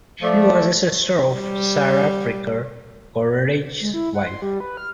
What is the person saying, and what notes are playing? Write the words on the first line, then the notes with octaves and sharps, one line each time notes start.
She was a sister of Sara Fricker, Coleridge's wife.
F3 A3 D5
G3
G#3
E4
F#5
C6
G3
B4
F6